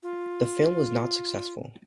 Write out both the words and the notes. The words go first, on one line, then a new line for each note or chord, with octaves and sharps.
The film was not successful.
F4